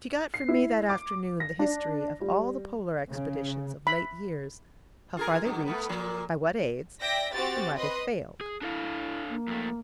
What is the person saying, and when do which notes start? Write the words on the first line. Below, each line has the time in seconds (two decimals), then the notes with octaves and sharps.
She got from me that afternoon the history of all the Polar expeditions of late years, how far they reached, by what aids, and why they failed.
0.34 C7
0.48 E4
0.89 D6
1.40 A#6
1.59 D4
2.21 G3
3.10 C#3
3.87 B5
5.17 F4 G#4 A#4
5.45 G2 B2
5.66 A3 B3 B4
5.89 A#2 F3 A#3
6.99 D5 E5 G5 A#6 B6
7.33 C4 F#4 G4 A6
7.76 B4 D#5 C6 D#6
8.41 G#4
8.61 D4 E4 A4 F5
9.29 A#3
9.47 F2 A3